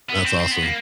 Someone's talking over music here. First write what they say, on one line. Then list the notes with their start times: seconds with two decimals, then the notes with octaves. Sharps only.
That's awesome.
0.09 B3
0.24 C4
0.40 C4
0.51 B3
0.62 A#3